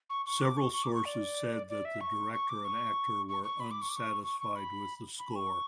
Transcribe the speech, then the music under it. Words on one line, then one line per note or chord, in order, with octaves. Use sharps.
Several sources said that the director and actor were unsatisfied with the score.
C#6
C#6
D6
C#6
C#6
D6
C#6
D5
D5
E5
C#6
C#6
D6
C#6
C#6
C#6
B5
D6
C#6
D6
C#6
C#6
C#6
B5
B5
C#6